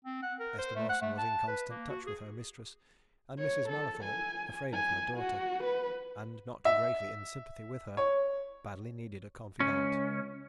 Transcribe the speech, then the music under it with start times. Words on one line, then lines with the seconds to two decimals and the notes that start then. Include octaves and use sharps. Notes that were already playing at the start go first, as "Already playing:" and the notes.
Esther Mawson was in constant touch with her mistress, and Mrs. Mallathorpe, afraid of her daughter, and not greatly in sympathy with her, badly needed a confidante.
0.05 C4
0.23 F#5
0.40 A#4
0.58 C5
0.76 A3
0.89 F#5
1.02 A3
1.18 A5
1.48 B4
1.70 A#3
1.90 F#4
2.07 G#4
3.39 C#5
3.69 A4
4.04 G#5
4.73 G#5
5.18 F#4
5.64 B4
6.65 E5
7.97 C#5
9.60 C#2 C#4